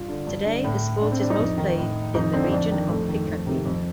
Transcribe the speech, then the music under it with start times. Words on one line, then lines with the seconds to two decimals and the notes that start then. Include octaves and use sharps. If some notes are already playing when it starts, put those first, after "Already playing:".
Today, the sport is most played in the region of Picardy.
Already playing: G2 F4
0.09 D3
0.27 G2
0.46 D3
0.64 A2
1.01 A2 D4
1.12 C4
1.20 D4
1.30 D#4
1.39 F2
1.58 D#3
1.77 A2
2.14 F2 D#4
2.33 D3 C4
2.52 F2 D4
2.71 D#3
2.90 F2 A3
3.08 D#3
3.27 F2
3.46 C3 D#3
3.65 F2